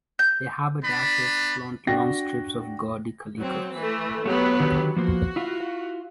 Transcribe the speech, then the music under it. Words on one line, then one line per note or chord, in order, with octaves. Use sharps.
The haberdashers flaunt long strips of gaudy calicoes.
G6
B3 D4 B5
D4 F#4 G5 A#6
F#3 C4
E3 A3
F#3 A3 B3 G4 C#5
D3 D#3 G4
F3 A#3 F#4 C5
E4 F4 F5